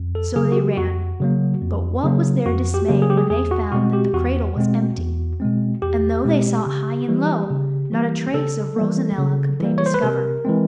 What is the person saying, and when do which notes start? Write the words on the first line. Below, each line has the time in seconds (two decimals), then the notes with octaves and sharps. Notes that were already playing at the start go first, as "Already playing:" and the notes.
So they ran; but what was their dismay when they found that the cradle was empty; and though they sought high and low, not a trace of Rosanella could they discover.
Already playing: F2
0.15 A4
0.36 C#3 F#3 A#3 G#4
0.52 F#4
0.57 G4
0.77 F2 F#4
1.20 C#3 F#3 A#3
1.62 F2
2.04 C#3 F#3 A#3
2.45 F2 F#4
2.74 G4
2.88 C#3 F#3 A#3
3.02 G#4
3.10 G4
3.17 G#4
3.30 E2 G#4
3.51 F#4
3.72 B2 G#3 C4 F#4
3.93 G4
4.14 E2 F#4
4.56 B2 G#3 C4
4.98 E2
5.40 B2 G#3 C4
5.82 E2 G4
6.24 B2 G#3 C4
6.66 C#3
7.08 E3 G3 A#3
7.51 C#3
7.92 E3 G3 A#3
8.34 C#3 A4
8.77 E3 G3 A#3
9.18 C#3
9.60 E3 G3 A#3
9.78 C#5
9.86 C5
9.94 B4
10.02 C3 A#4
10.45 E3 G#3 C4